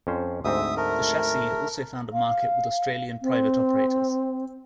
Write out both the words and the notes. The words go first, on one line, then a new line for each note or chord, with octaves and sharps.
The chassis also found a market with Australian private operators.
F2 C#4 C5
D2 G#2 C4 E5 D#6
A3 A#4
F5
C4